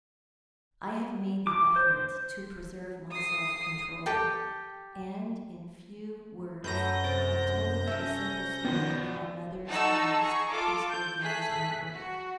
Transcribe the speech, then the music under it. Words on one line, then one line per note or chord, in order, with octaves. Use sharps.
I have made the effort to preserve my self-control; and in few words have told the simple story of my mother's last peaceful days on earth.
D6
C5
D#6 C7
G4 A4 G5
F#2 F#3 A3 B4 G6 A#6
C3 A6 D7
C#4 A4 A#4 E5
D#3 F3 B3 F#4 D5 G5
D#4 A4 F#5 A5 C#6 E6
G#4 A#5 C#6
F4 A4 D6
G6
A3 G#4 F#6 B6
F#4